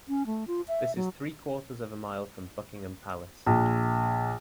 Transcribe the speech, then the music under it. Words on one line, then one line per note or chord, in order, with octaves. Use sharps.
This is three-quarters of a mile from Buckingham Palace.
C#4
A3
F4
E5
F#3
A#1